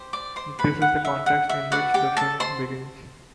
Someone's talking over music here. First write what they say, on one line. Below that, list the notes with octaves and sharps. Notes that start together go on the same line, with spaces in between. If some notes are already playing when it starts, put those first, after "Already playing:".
This is the context in which the film begins.
Already playing: G4 C5
D5 D6
C5 C6
B4 B5
F#5
E5
F#5
E5
F#4 B4 D5 F#5
G4 G5
A4 A5
C5 C6